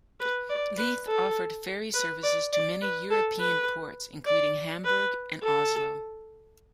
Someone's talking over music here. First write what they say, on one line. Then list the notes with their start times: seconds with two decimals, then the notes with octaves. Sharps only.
Leith offered ferry services to many European ports, including Hamburg and Oslo.
0.20 B4
0.50 D5
0.78 B4
1.07 A4
1.94 B4
2.23 D5
2.53 D5
2.82 B4
3.10 A4
3.39 B4
4.26 D5
4.85 B4
5.43 A4